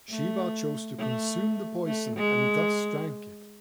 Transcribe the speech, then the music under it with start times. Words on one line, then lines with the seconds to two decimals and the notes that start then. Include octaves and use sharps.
Shiva chose to consume the poison and thus drank it.
0.10 A3
0.98 A3
1.86 A3
2.16 G#3